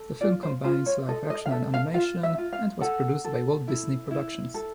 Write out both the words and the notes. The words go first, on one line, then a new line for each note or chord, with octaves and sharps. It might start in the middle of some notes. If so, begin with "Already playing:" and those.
The film combines live-action and animation, and was produced by Walt Disney Productions.
Already playing: A4
F4 D5
C5
F4 C5
C#5
A4 D#5
D#5
F5
A4 E5
F5
F4 F5
E5
F4
F5
A4 F#5
A4
E4
E4
A4